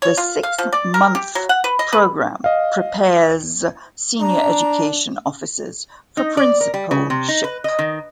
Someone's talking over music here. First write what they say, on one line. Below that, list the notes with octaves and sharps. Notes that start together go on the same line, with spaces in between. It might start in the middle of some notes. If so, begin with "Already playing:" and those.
The six-month programme prepares senior education officers for principalship.
C#5
F4
F5
F3
D5
A#4
G4
F#3
F#5
B4
D#5
B4
D#5 F5
D4 A#5
D#4
D5
A#4
G3
C#3
C3
D#4
B4
D#5
D#3